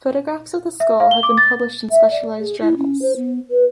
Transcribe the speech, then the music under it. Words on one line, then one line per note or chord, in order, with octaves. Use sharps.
Photographs of the skull have been published in specialized journals.
E5
F5
G7
D6
A6
E5
D5
G#4
E4
C#4
C5
B3
B4